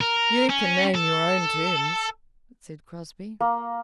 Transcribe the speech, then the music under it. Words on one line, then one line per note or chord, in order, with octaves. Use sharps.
"You can name your own terms," said Crosbie.
A#4
C#4
A4
A#3